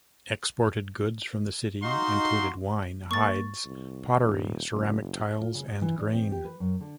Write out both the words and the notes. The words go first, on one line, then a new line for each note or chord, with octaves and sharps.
Exported goods from the city included wine, hides, pottery, ceramic tiles and grain.
D#4 F#4 F5 C6
A#3 C#6 A6
C2
D#1
F#1
F4
C#3
D#5
E3
D4
C4
G4
B4
F#2
D3